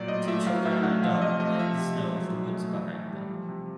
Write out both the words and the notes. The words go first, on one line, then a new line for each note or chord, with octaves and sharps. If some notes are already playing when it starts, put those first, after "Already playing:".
Two children and a dog play in the snow with a woods behind them.
Already playing: A#2 F#3 D5
A2 D#5
A3 E5
F#3 F5
A2 E5
A3 F#5
F3 F5
C3 D#5
A3 D#5
F3 E5
C3
G#3
F#3
B2
A3
E3
A2
G3
F3
C3